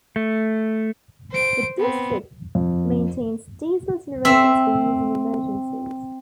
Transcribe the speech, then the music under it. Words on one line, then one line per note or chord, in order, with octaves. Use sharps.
The District maintains diesel generators for use in emergencies.
A3
C5 D7
B3 C4
F2
C4 E5